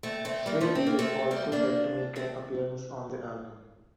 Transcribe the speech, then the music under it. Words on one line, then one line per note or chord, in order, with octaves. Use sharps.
Swae Lee is also set to make an appearance on the album.
A3 C4
A3 C4
G3 A#3
F3 A3
C4
A#3
A3 C4
G3 A#3
A#3 D4
A3 C4